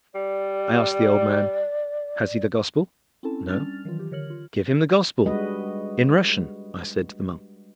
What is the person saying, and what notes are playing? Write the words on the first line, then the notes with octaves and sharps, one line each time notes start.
I asked the old man, "Has he the Gospel?" "No." "Give him the Gospel in Russian," I said to the monk.
G3 D5
C4 C#4 E4 A4 A5
G3 C#4 D4 F6 A6 F7
D#3 E3 F#3 F4
G4
D3 A#4 C#5 F6 F#7
F4
G3 G#3 D4 F#4 B4 D#5